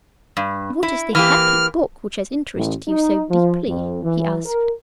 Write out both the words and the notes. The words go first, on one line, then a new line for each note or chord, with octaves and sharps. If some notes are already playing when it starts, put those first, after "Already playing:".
"What is the happy book which has interested you so deeply?" he asked.
G2
E4
E3 A#3 G4 F6
A1
D#4
F3
F2
E3
A#4